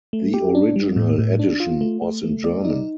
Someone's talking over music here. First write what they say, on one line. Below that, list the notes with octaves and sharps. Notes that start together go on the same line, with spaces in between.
The original edition was in German.
A3
G4
D4
G3
A2
A2
D4
F4
A3
A3
A3
D5
D#4